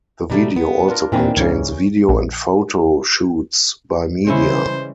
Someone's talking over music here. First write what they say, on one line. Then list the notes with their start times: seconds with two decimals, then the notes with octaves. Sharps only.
The video also contains video and photo shoots by media.
0.30 B2 G3 A3 D#4
0.56 B3
0.88 D4 F4 A#4
1.12 A#2 D#3 E3 C4 D4
1.37 C#2 G#2 C#3 C#4
2.09 A#1
4.27 C#3 E3 G3 G#3 C#4 E4 C5